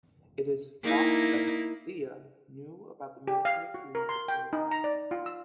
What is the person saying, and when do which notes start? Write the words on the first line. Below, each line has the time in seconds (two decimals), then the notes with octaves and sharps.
It is thought that Zia knew about the military coup before it happened.
0.83 A#3 D#4 E4
3.27 G4
3.45 F5
3.74 F#4
3.95 A#4
4.09 C6
4.28 G5
4.53 D#4
4.71 A#5
4.84 D5
5.11 F4
5.26 E6